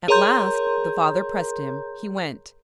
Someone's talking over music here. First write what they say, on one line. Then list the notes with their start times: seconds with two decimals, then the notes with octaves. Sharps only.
At last--the father pressed him--he went.
0.08 G#4 A#4 C#5 A#5 C6 G6